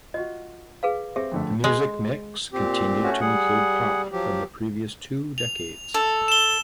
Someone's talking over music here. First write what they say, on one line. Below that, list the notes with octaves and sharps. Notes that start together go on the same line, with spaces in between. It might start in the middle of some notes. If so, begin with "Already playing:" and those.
The music mix continued to include pop from the previous two decades.
F4 F#4 D#5
G#4 B4 F5
C4 G4 G#4 E5
F2 D3 A3
G#3
A#2 C4 G4
A3 C#4 F#4
G3 G#4 F#5
F3 F#3 G4
F7
A4
E7 G7